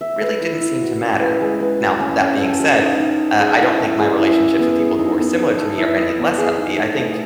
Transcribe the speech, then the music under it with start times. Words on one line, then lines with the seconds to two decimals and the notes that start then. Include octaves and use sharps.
really didn't seem to matter. Now, that being said, uh, I don't think my relationships with people who are similar to me are any less healthy. I think
0.01 E5
0.21 B4
0.41 E4
0.61 E4
0.81 F#4
1.01 C#4
1.21 B4
1.41 G#3
1.60 B4
1.80 F#4
2.00 C#4
2.21 C#4
2.40 A4
2.59 F#4
2.80 D#4
3.00 D#4
3.19 C#5
3.40 G#4
3.59 E4
3.80 E4
3.99 G#4
4.19 E4
4.39 C#5
4.58 B3
4.79 G#4
4.99 D#4
5.18 B3
5.39 B3
5.58 A4
5.78 E4
5.97 D#5
6.18 B3
6.38 G#4
6.58 D#4
6.77 A3
6.97 A3